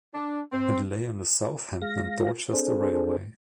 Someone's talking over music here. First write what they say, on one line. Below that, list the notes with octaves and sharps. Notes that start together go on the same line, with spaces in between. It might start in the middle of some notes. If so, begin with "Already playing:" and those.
It lay on the Southampton and Dorchester Railway.
D4
C4
G#3 F5 A#6
C4 D4 G#4 A4 C5